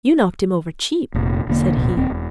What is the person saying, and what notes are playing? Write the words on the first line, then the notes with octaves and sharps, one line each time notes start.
"You knocked him over cheap," said he.
F1 A#2
E1 D3 A#3
D1 G#1 B2
D#1 C4
E1